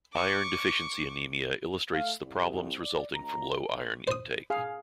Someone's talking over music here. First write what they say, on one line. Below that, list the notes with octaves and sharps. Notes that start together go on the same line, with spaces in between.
Iron-deficiency anemia illustrates the problems resulting from low iron intake.
C#6 D6
A3 F5
C2
D5
C#2 A#5
C5 D#6
G#4 F5